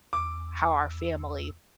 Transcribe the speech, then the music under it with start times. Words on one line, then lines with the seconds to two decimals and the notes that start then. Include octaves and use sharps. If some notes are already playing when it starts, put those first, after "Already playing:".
how our family
0.13 E2 D6